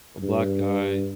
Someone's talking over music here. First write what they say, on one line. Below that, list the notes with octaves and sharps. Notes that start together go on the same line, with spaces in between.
a black guy
G2